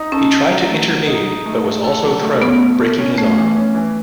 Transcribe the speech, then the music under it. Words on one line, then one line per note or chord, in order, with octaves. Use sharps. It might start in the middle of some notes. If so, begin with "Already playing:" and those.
He tried to intervene, but was also thrown, breaking his arm.
Already playing: D#4
C#4 A4
D#4
F#3
A3
F#3
D#4
D#4
A3
A3
A4
F#3
A3
B3 C#4
A3
A3
C#4
A3 C#4
E3
C#4
E3